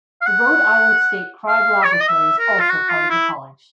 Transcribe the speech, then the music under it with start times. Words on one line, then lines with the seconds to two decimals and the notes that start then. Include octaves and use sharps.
The Rhode Island State Crime Laboratory is also part of the College.
0.21 F5
0.26 F#5
1.48 F5
1.84 C#5
1.92 D5
2.01 D#5
2.08 E5
2.39 A#4
2.60 F4
2.69 F#4
2.89 F4
3.10 E4